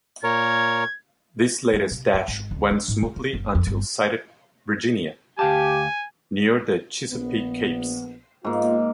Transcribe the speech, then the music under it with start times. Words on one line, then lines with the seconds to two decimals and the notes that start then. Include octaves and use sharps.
This latest dash went smoothly until sighted "Virginia" near the Chesapeake capes.
0.24 A#2 A#4 C#5 G#6
1.72 G3
1.91 C3
2.14 F2
2.28 G#1
2.51 D2
2.71 D4
2.88 G#2
3.02 C#3
3.16 E3
3.33 F#1
3.55 F2
3.67 G1
5.39 D2 G4 F5 G#5 A5
7.10 A#1 B3
8.44 G#2 A#3 B3 F4